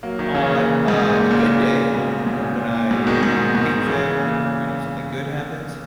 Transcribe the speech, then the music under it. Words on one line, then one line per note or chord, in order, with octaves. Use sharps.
on, uh, a good day, you know, when I, you know, get a paycheck or, you know, something good happens
F#3 A#3
D#3 F#3
C#3 E3
A#2
G#2
A#2
A#2 C#3
G#2 B2
A#2
G#2
A#2
A#2
A#2
G#2 B2
B2 D#3
G#2 B2
G#2 B2
C#3 E3
A#2 C#3